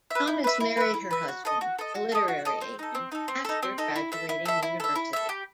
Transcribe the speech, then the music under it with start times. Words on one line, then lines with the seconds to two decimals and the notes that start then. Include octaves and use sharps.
Thomas married her husband, a literary agent, after graduating university.
0.11 B4 E5
0.27 E4
0.44 B4 E5
0.60 E4
0.77 B4 E5
0.94 E4
1.11 B4 E5
1.28 F#4
1.45 A4 D#5
1.61 F#4
1.79 A4 D#5
1.95 F#4
2.12 A4 D#5
2.28 F#4
2.45 A4 D#5
2.61 C4
2.79 D#4 A4
2.95 C4
3.12 D#4 A4
3.28 C4
3.45 D#4 A4
3.63 C4
3.78 D#4 A4
3.96 E4
4.12 A4 E5
4.29 E4
4.45 A4 E5
4.63 E4
4.80 A4 E5
4.96 E4
5.13 A4 E5
5.29 G4